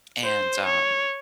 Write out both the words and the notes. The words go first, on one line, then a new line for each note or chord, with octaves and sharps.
And, um
C5
C#5